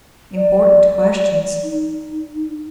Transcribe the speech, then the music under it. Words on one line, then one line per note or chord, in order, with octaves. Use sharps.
Important questions!
D5
D#4